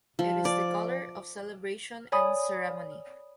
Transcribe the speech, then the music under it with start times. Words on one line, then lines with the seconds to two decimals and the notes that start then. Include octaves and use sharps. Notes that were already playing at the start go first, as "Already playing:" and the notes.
It is the color of celebration and ceremony.
0.19 F3
0.45 D5
2.12 C#5 D5 G#5 B5 D#6